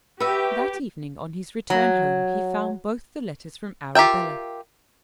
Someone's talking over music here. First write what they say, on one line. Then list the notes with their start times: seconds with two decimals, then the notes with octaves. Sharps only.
That evening on his return home he found both the letters from Arabella.
0.20 F#4 G4 B4 E5
1.70 F#3
3.95 F4 G4 A#4 E5 G5